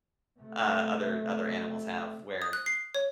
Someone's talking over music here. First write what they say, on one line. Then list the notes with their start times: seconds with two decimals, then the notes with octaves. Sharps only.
uh, other other animals have where,
0.40 C3 A3
2.42 D#6
2.53 F#6
2.66 C7
2.94 C#5